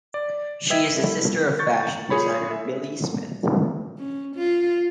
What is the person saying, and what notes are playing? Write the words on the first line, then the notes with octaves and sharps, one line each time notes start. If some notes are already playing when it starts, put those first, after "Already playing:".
She is the sister of fashion designer Willi Smith.
D5
B4 D#5 E5 G5 G#6
G3 E4 A4
C#6 G6 A6
F4 G#4 C#5 B5
E5
C#4
F4